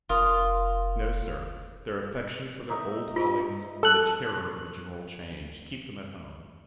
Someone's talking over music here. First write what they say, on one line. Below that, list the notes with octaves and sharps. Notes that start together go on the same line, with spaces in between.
No, Sir; their affection for their old dwellings, and the terrour of a general change, keep them at home.
F1 F4 A#4 C6 D#6
D#4 E5
F4
A4 F#6